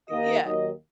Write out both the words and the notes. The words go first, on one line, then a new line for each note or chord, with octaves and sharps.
Y yeah.
D#2 D#3 A#3 D#4 D#5
D#2 D#3 F#3 D#5